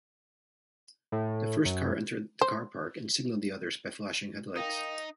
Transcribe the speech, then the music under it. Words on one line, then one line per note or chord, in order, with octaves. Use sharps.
The first car entered the car park and signaled the others by flashing headlights.
A2
F#2
C5
D#4 A#4 F5 G5 D#6 A#6